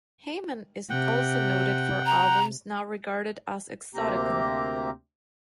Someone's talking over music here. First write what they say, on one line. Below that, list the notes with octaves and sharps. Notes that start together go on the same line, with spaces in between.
Hayman is also noted for albums now regarded as Exotica.
C3 F#5 G5
A#5
D2 C3 A#3 C4 G4 A#5